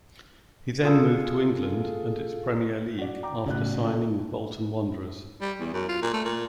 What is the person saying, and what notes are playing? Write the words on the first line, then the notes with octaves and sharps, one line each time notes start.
He then moved to England and its Premier League, after signing with Bolton Wanderers.
F4 G#4 A4
F#4 D5
G5 A#5 D6
A2 C#3 F#3 D5 F#6
E4 A4
G3
E2
F#2
F4
A#2
A3
A#2